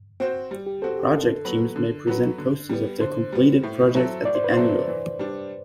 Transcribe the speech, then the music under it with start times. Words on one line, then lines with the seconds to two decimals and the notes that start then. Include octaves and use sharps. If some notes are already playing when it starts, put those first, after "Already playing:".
Project teams may present posters of their completed projects at the Annual.
0.20 C4 F#4 C5
0.51 G3
0.67 G4
0.82 C4 F#4 A4 C5
0.98 G4
1.13 D3 A4
1.45 F#3 B3 F#4 B4
1.76 D3
2.07 F#3 B3 F#4 B4
2.38 D3
2.69 G3 B3
3.00 D3 C5
3.32 G3 B3
3.63 A2
3.95 F#3 C4 E4 A4
4.25 A2 D5
4.35 C5
4.44 B4
4.53 F#3 C4 E4 A4 C5
4.88 E3
5.19 G3 D4